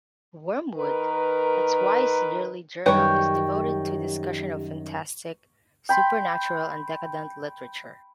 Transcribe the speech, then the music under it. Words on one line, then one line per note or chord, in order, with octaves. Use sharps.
"Wormwood", a twice-yearly journal, is devoted to discussion of fantastic, supernatural and decadent literature.
D#3 A#4 B4
F#2 D#3 G3 G4 B4 C#5 G5 C#6
G5 B5 C6